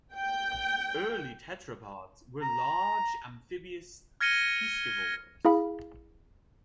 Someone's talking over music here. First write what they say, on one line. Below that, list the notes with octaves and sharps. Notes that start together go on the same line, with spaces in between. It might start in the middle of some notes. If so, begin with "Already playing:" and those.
Early tetrapods were large amphibious piscivores.
G5
A#5
F6 G#6 A#6 C#7 D#7 G7
E4 G#4 F5 B5